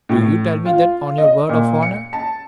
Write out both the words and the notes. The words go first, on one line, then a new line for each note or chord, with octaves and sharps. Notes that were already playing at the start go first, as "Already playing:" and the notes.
"Do you tell me that on your word of honor?"
A2
F4
D#5
A#2
C#7
A5